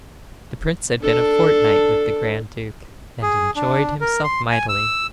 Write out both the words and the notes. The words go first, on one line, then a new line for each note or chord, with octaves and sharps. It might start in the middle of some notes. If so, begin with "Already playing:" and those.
The prince had been a fortnight with the grand duke, and enjoyed himself mightily.
D4 A4
G#4
D4
A#4
C6
G#5
E6